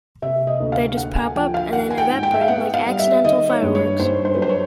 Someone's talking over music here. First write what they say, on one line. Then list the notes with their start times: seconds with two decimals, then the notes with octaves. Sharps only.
They just pop up and then evaporate like accidental fireworks.
0.22 C3 E5
0.47 D#5
0.60 D2
0.72 F5
0.97 D2 F#5
1.16 G#5
1.35 F3 G5
1.54 F5
1.73 D#3 F#5
1.90 G#5
1.98 G5
2.10 G#2
2.23 G5
2.34 E5
2.41 F5
2.48 B3 F#5
2.74 F5
2.86 G3
2.99 E5
3.24 D#3 D#5
3.49 C#5
3.62 G2
3.75 C#5
3.99 G2 C5
4.25 C5
4.34 F#3 B4
4.42 C5
4.49 C#5